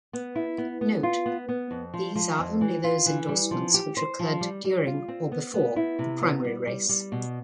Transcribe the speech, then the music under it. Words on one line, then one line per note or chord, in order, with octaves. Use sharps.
Note: These are only those endorsements which occurred during or before the Primary Race.
B3
E4
B3
B3
F4
B3
B3
F2
F3
F3
F2
E3
F4
E3
G3
F3
G4
C5
F3
G3
G3
F4
C4
B3
B3
E4
C3
B3
G3
G3
G3
B2